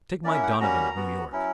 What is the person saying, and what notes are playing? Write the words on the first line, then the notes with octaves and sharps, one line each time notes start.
Take Mike Donovan, of New York.
A#3 C#4 E4 D5
E5
F#5
G5
G3 A#3 C#4 F#4 A#5
B3 F#4
F#3 C#4 E4